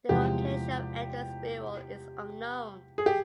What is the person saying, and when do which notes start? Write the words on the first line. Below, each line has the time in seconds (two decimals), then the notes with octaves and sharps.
The location of Edward's burial is unknown.
0.09 E2 C3 F3 G#3 G4
2.98 G#4
3.06 G4